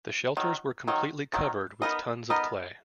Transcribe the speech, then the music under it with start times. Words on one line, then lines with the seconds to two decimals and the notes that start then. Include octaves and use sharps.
The shelters were completely covered with tons of clay.
0.37 D#3 F#3
0.88 D#3 F#3
1.34 D#3 F#3
1.82 B3 D#4 A#4 D#5
2.30 B3 D#4 A#4 D#5